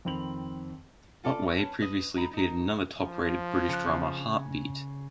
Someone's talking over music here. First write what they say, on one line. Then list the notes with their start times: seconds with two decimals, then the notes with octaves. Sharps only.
Otway previously appeared in another top-rated British drama "Heartbeat".
0.05 F2 D#3 C4 B5 F7 F#7
1.23 F4 A4 D5
1.54 C#4 A#4 B4 A5
1.81 B4 D#5
2.15 D#4 A#5 B5
2.33 D#4 A#4
2.99 F3
3.69 C#3 F#6